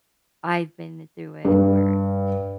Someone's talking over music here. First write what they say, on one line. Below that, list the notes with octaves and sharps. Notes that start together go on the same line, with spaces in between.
I've been through it where
G2